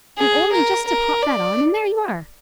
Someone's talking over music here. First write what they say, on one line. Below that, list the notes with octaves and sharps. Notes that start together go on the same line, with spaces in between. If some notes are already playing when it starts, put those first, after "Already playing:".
You've only just to pop that on, and there you are.
G#4
A#4
A#4
D5